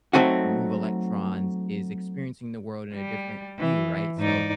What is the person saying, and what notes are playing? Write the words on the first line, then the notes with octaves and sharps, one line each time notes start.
can move electrons is experiencing the world in a different view, right, so,
F#3 A3 C4 D#4 F#4
G3
E3
G#2 D#4 D5